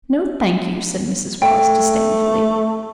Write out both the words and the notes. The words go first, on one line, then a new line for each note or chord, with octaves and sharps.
"No, thank you," said Mrs. Wallace disdainfully.
A3 G5